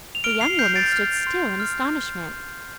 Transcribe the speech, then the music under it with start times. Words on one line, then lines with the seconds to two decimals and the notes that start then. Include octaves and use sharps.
The young woman stood still in astonishment.
0.15 F7
0.24 F6 D7 G7
0.41 C7 F7
0.58 F6 G6 C7
0.75 A6 D7
0.92 F6
1.27 C6
1.60 F6